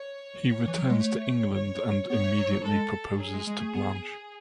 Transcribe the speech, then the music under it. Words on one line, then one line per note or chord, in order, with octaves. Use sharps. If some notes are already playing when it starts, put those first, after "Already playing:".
He returns to England and immediately proposes to Blanche.
Already playing: C#5
E3
F#3
G#3
A3 C#5
C#5
B3 C#5
A3
F#3
F#3
G#3 A4
F#3 G#4
G#3
G#3
A3
B3